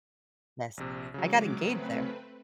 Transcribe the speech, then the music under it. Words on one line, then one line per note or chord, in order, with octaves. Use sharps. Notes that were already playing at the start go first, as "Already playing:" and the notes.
Yes, I got engaged there.
A#1 C3
C#3 F#3 G#3 D6
A3 C4 B4